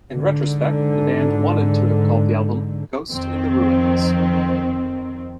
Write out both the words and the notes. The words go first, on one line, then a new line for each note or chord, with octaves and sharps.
In retrospect, the band wanted to have called the album "Ghost in the Ruins".
G#2 D3
F2 D#3 C4